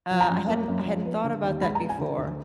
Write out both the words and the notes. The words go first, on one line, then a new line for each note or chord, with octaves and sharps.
Uh, I hadn't I hadn't thought about that before.
F3
A#5
F#2
A#3
F#2
F3
B3
D3
D#2
G#3 B5
A#5
B3
G#5
D3
D2